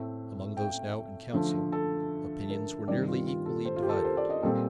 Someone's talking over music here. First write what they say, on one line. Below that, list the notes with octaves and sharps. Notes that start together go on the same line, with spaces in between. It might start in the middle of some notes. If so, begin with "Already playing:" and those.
Among those now in council opinions were nearly equally divided.
Already playing: A2 A3 C4
G5
D3 F3 A3
A4
A#4
G2 D#3 G3 C4 D5
F4
F4
A4
C5
F4
G4
A4
A#4
C5
D5
D#5
A#2 G3 C4 A4